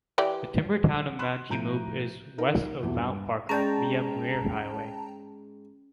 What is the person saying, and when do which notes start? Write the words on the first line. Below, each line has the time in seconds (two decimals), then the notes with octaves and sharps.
The timber town of Manjimup is west of Mount Barker, via Muir Highway.
0.18 E3 G4 D5
1.19 B5 C6 F#6 E7
1.49 A2 F3 A#5 G6 D7 D#7
2.38 D#4 A#4
2.83 D#1 B1 E2 E4
2.95 G2
3.49 G#2 C#4 D5 G5 A5 A#5